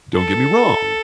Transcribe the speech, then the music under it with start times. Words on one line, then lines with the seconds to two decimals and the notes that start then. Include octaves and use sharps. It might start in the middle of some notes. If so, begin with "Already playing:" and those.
don't get me wrong,
0.15 A4